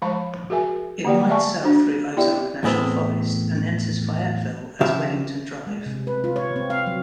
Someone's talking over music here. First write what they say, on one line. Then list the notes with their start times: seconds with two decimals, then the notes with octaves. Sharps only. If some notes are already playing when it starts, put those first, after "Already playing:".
It winds south through Ozark National Forest and enters Fayetteville as Wedington Drive.
0.02 F3 G#3 C5 F5 A5 B5
0.50 F#4 G#4 A#4 E5 G#5
1.05 D3 A#3 G4 D5 G5
1.29 D5 E5 F5 G#5 A5 C#6
1.63 D4 F#4 C5
2.17 B3 E4 G4 D5 E5 G5
2.63 E2 A2 B3 C4
4.81 C#3 F3 G4 E5 F5
5.67 G#3
5.86 C3
6.07 B4
6.24 F4
6.36 C#5
6.56 C4
6.70 F5
6.87 F#3